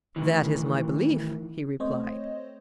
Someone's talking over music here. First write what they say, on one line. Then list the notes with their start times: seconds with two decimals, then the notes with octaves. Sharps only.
That is my belief, he replied.
0.16 A2 D#3 E3
1.80 A3 C4 C5 C#5 D#5